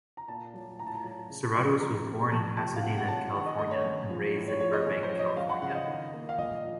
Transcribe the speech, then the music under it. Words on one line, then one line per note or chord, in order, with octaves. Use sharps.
Serratos was born in Pasadena, California and raised in Burbank, California.
A#5
A#2 A5
F#3
A2 A#5
A5
A#5
F#3
C#3
F3
F2 A#5
C3
F2 A5
C3 A5
F5
C3 F#5
F#5
F#3 A5
D#3 F#5
D#5
A3 D#5
C#5
F#2
F3
A2
C#5
F3 C#5
D#5
F#2 C#5
C5
F3 C#5
D#5
F#2 F5
F#5
C#3 F#5
F5
D#5
D#3
A#3
F5
A#2 D#5
D#5
F3